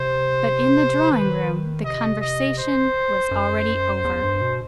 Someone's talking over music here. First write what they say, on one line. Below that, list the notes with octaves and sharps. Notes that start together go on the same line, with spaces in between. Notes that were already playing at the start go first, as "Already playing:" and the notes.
But in the drawing-room the conversation was already over.
Already playing: C3 C5
D#3 B4
C3 D#5
D#5
C5
F#2
E2
G2
B2